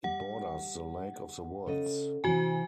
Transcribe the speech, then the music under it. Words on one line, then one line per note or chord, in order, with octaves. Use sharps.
It borders the Lake of the Woods.
G3 F#5
C#3 A4 D#5
C3 E3 C4 F#4 G#5